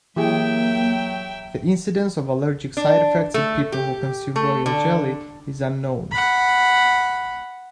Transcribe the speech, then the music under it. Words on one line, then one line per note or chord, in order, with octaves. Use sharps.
The incidence of allergic side effects in people who consume royal jelly is unknown.
E3 F#3 A#3 G4 G#4 E5 G5
D4
A3
G4
A3
D3
F#5 B5